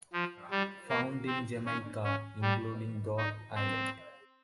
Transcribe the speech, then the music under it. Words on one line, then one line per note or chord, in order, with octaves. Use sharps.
Found in Jamaica, including Goat Island.
F3
G3
A#3
C4
C#4
C#4
G3
D#4
C4